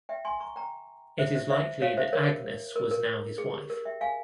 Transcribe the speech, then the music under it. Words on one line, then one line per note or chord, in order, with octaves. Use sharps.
It is likely that Agnes was now his wife.
E5 G5
G#5 C6
A#5 C#6
G5 A#5
C5 E5
C5 E5
C5 E5
C#5 F5
C5 E5
A#4 C#5
A#4
A#4
G#4
G4
A#4
E5 G5
F5 G#5